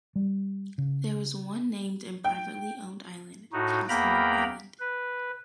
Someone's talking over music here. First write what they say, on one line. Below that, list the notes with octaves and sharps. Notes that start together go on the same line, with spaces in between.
There is one named and privately owned island, Casimir Island.
G3
C#3
G5
A2 D#4 F#4
E2 A#3 G5 A#5 B5
B4